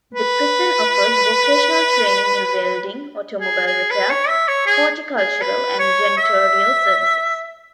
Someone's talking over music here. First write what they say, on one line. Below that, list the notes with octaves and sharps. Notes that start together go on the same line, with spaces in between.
The prison offers vocational training in welding, automobile repair, horticultural, and janitorial services.
B4
G#4
G#4
B4
C#5
E5
C#5
G#4
G#4
B4
C#5
E5